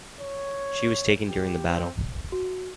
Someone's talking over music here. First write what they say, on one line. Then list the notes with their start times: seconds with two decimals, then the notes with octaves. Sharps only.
She was taken during the battle.
0.21 C#5
1.28 G4
1.67 C4
2.32 F#4